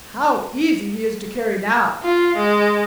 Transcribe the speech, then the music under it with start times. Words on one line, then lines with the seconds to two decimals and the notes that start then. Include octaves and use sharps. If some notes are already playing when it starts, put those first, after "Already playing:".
'How easy he is to carry now!
2.02 F4
2.36 G#3